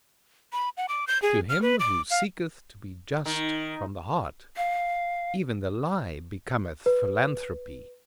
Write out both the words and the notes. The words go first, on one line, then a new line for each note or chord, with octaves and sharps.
To him who seeketh to be just from the heart, even the lie becometh philanthropy.
B5
F#5
D6
G6
G#4
F6
B4
D6
F5
D#3
F5
B4